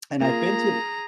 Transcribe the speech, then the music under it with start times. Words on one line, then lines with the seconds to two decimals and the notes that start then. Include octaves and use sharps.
And I've been to
0.21 A#3 F4 G#4 A#5